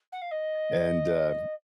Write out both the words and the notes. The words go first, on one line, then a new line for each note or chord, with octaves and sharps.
and, um
F#5
F5
D#5